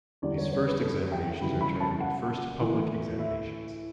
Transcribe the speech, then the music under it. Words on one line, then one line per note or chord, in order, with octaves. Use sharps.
These first examinations are termed "First Public Examinations".
E2 D3 G3 D5
C#5
C#5
B4
A4
G5
F#2 C#3 E3 G3 B5
B5
A5
F#5
A2 E3 A3
E5